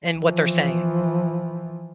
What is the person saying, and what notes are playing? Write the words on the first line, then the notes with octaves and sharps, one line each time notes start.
and what they're saying.
E3 F3